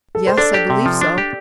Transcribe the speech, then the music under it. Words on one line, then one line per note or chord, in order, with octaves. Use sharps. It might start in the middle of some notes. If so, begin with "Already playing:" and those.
"Yes; I believe so."
A4
C5
D4 A4 D5
G4
C3
F3
D4
G4